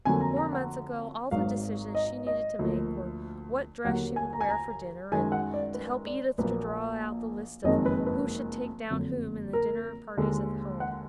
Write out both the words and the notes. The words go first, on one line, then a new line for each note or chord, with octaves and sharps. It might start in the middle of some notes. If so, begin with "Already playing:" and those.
Four months ago, all the decisions she needed to make were what dress she would wear for dinner, and to help Edith to draw out the lists of who should take down whom in the dinner parties at home.
F2 D3 F#3 A#3 G#5
A#5
A#5
F#5
G#1 G#2 F#3 F5
D#5
D#5
D2 D3 F3 A#3
D#2 D3 F#3 A#3 F#5
G#5
A#5
G#5
A#5
F#2 D#3 G#3 G#5
F#5
D5
B4
D5
A#1 A#2 F#3 A#3 B4
F#1 F2 D#3 G#3 D#5
B4
B4
F#1 F2 D3 F#3
A#4
D#2 D3 G#3
F#5